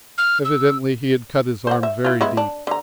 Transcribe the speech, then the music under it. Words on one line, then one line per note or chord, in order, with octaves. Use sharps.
Evidently he had cut his arm very deep.
F6
E6
C5 F#5
E5
E4 F4
G#3 B3 E4
D4
D3 A#5